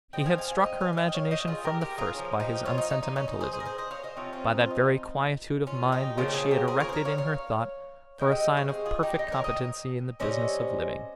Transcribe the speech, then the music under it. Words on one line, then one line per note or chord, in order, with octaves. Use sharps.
He had struck her imagination from the first by his unsentimentalism, by that very quietude of mind which she had erected in her thought for a sign of perfect competency in the business of living.
F3 G#3 C4 D#5 G5
F5 G#5
F5 G#5
F5 G#5
D#5 G5
F5 G#5
F5
D#5 G5
C#5 F5
D#5 G5
F4 G#4
G4 A#4
G4 A#4
F4 G#4
F3 A#3 C#4
D#4 G4
C#4 F4
D#4
D#4
D#4
C#4
D#4
G#4 C5
G#4 C5
A#4
G#4 C5
C5 D#5
C#5 F5
C5 D#5
C3 F3 C4 C#4 F4
C#4 F4
D#4
F4
D#4
C#4 F4
D#4 G4
C#3 F3 A#3 F4 G#4
G4
F4 G#4
G4 A#4
G#4 C5
A#4 C#5
C5
A#4 C#5
C#5 F5
C#5 F5
C3 D#3 G#3 G5
D#5 G5
C#5 F5
G#4 C5
F4 G#4
D#4 G4
D#4
A#4 C#5
D#5 G5
C3 G3 C#4 C5 D#5